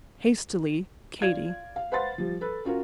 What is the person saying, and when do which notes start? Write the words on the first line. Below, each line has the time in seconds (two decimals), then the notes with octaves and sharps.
Hastily, KATY.
1.22 F4 D5 F5 G#6
1.76 F5
1.92 B4 C5 F5 F#5 C6 A6
2.18 F3 G3
2.41 A4 B4
2.65 C#4 F4 F#4 A#4